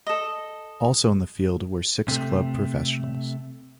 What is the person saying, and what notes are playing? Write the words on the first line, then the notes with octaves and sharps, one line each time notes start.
Also in the field were six club professionals.
A4 D#5
C3 A3